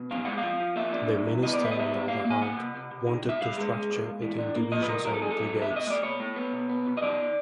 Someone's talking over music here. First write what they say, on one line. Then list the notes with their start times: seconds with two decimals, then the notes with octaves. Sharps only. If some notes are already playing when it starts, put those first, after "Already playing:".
The minister, on the other hand, wanted to structure it in divisions and brigades.
Already playing: B2
0.11 C4 F5
0.25 G#3 F#5
0.38 F5
0.43 F3
0.60 F3
0.76 A#3 E5
0.92 D4
1.09 G2
1.26 E3
1.42 B3 D#5
1.53 D5
1.59 B3
1.65 E5
1.72 D#5
1.76 G3 E5
1.92 G3
2.08 A#3 F5
2.25 A#3
2.30 G#5
2.42 C2 F#5
2.57 C3
2.75 C3
2.91 C3
3.07 D#3
3.24 G2 E5
3.40 G2 F5
3.57 G#3
3.72 G#3
3.90 G#2
4.06 G#2
4.22 E3
4.38 D4
4.55 A#3
4.72 F3 D#5
4.82 B4
4.88 C3 A#4
5.04 F#3 A#4
5.14 A4
5.22 C#2 G#4
5.31 A4
5.37 F#3
5.54 C#2
5.62 E5
5.70 B2
5.76 D#5
5.87 A3 D5
6.03 B2 C#5
6.20 A3
6.36 B3
6.53 B2
6.69 B3
6.87 B2
6.97 D#5
7.02 D#3 D5